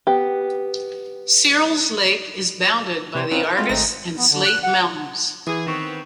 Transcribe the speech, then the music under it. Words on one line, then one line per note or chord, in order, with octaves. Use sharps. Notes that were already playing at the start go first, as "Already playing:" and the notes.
Searles Lake is bounded by the Argus and Slate Mountains.
B3 G4
C3 G3 C5
C4 C#4 D#4 F4 B4
A#4
G#3 A3 C4 F4 F#4
G#1 G#3 A3 C4 D#4 A#6
B3
D3
F#6
F#5
E3 G#4
D#3 B3 C4 C#6